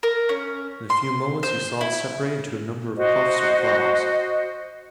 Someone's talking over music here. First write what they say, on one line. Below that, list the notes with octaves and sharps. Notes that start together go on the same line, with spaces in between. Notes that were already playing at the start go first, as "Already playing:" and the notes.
In a few moments he saw it separate into a number of puffs or clouds.
A#4
C#4
C6
C5
E4
F#4 C5 D#5